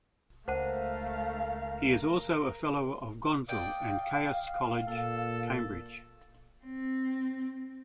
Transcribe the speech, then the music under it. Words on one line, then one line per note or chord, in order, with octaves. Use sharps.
He is also a Fellow of Gonville and Caius College, Cambridge.
C#2 A3 A#4 C5 F5 F#5 A5
D5 D#5 F5 G5
A#2 A4
C4